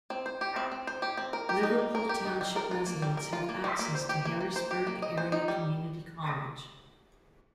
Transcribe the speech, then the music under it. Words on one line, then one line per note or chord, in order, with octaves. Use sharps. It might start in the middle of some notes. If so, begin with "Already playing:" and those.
Liverpool Township residents have access to Harrisburg Area Community College.
C4
C5
G4
C4
C4
C5
G4
C4
A#4
G4
D#4
G3
A#4
G4
D#4
G3
A#4
F4
A#3
G3
A#4
F4
A#3
G3
A#3
C5
G4
A#3
A#3
C5
G4
A#3
D#5
C5
D#4
G3